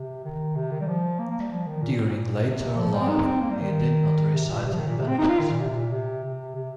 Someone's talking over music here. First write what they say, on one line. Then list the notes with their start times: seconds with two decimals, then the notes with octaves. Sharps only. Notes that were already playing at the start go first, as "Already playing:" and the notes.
During later life he did not reside in his benefice.
Already playing: C3
0.25 D#3
0.56 C3
0.71 D#3
0.81 G3
0.88 F3
1.19 A#3
1.30 A#3
1.40 G3
1.51 F3
1.66 D#3
1.82 A#2
1.93 A#2
2.03 A#2
2.45 C3
2.77 F3
2.93 G3
3.02 C4
3.08 D#4
3.24 C4
3.40 A#3
3.50 G3
3.61 D#3
4.35 C3
4.51 A#2
4.66 C3
4.72 F3
4.77 D#3
4.87 A#2
4.97 C3
5.08 C4
5.18 D#4
5.29 F4
5.40 D#3
5.51 A#2
5.60 C3
5.77 A#2
5.92 C3
6.24 C3
6.55 C3